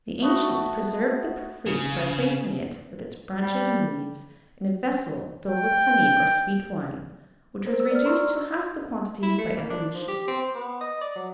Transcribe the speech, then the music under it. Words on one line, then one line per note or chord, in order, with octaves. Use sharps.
The ancients preserved the fruit by placing it, with its branches and leaves, in a vessel filled with honey or sweet wine, which was reduced to half the quantity by ebullition.
A3 B3 F#4
C#3
G3
G5
A#4 C5
E6
D5 F6
D5 A#5 C6 C#6 E6 F6
E4
A3
A#3
D4
F3
G4
C4
C5
B3
D#5
D5
F#3